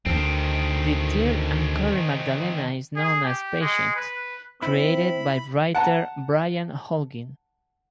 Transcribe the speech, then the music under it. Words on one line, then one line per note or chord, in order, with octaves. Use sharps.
The third and current Magdalena is known as Patience, created by writer Brian Holguin.
D2 D#3 C4
G#4
G4
G#3
B4
C4 E4 B5
F#5 A5 A#5